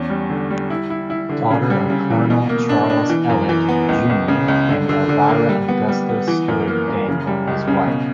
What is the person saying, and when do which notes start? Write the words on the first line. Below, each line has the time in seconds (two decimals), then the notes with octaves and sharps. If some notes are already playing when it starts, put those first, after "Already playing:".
Daughter of Colonel Charles Ellet, Junior and Elvira Augusta Stuart Daniel, his wife.
Already playing: E2 C#4
0.10 G3
0.30 D3
0.50 G3
0.70 E4
0.90 E4
1.10 E4
1.29 D3
1.50 C#3
1.70 G3
1.90 C#3
2.10 E3
2.30 B2
2.49 A#3
2.69 D4
2.90 D4
3.09 E3
3.29 F#2
3.49 E3
3.68 B3
3.89 C#2
4.10 C#2
4.28 C#3
4.48 C#2
4.69 D3
4.89 D3
5.09 D3
5.29 A#3
5.49 G3
5.68 B3
5.88 G3
6.09 B3
6.28 E3
6.48 F#2
6.68 A#3
6.88 F#2
7.08 C#3
7.27 G3
7.47 C#2
7.68 C#3
7.87 B2